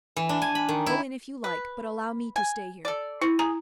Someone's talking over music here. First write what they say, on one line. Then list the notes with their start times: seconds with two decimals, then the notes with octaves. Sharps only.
"Go in, if you like, but allow me to stay here."
0.17 E3
0.29 D4
0.42 G#5
0.55 B5
0.69 D#3
0.86 E4
1.44 B4
2.36 G#5
2.85 A4 D5
3.21 C4 E4
3.39 G#4 A#5